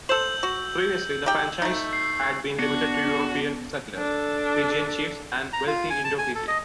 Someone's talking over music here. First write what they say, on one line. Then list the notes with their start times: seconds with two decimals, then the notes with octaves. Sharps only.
Previously, the franchise had been limited to European settlers, Fijian chiefs, and wealthy Indo-Fijians.
0.09 A4 C5 E6 G6 F#7
0.43 F#4
1.26 D#4 G4 G5
1.62 A3 D#4
1.93 C7
2.59 B3 D4 F#4
3.98 D4 A4
5.53 A#5
5.67 F4
5.90 G#5
6.04 A5
6.18 G#5
6.35 A4
6.48 D#5